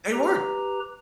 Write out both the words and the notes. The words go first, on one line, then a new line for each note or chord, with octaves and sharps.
They were.
G4 B4 A#5